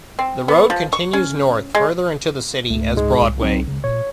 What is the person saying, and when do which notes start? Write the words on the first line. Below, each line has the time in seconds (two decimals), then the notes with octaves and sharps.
The road continues north, further into the city, as Broadway.
0.19 C4
0.48 B3
0.70 F3
0.93 C#6
1.13 C#4
1.75 G#3
2.70 C#2 G#2 A3
2.96 G#2 G#3
3.21 C2
3.41 F#3 C4 D#4
3.68 C#2 C#3
3.84 A#2 C#5